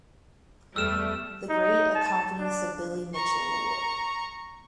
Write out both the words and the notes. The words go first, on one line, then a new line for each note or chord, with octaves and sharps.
The grade accompanies the Billy Mitchell Award.
E2 G3 A3 E6 F6 E7
D#4
A5
D4
A#5 C#6